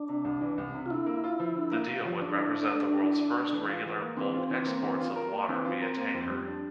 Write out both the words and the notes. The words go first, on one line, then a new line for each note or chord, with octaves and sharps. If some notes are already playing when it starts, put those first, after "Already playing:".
The deal would represent the world's first regular, bulk exports of water via tanker.
Already playing: D4
C3
C2
E3
C2
C3
F4
D3 E4
A#3
F4
F3
D3
A#3
F4
F3
D3 D4
E4
D3
A3
D3
E4
D3
A3
E3
F4
E3
A#3
E3 C4
F4
E3
A#3
E3
F4
A#4
A#3
E3 C4
F4
A#4
A#3
F2
G3
D4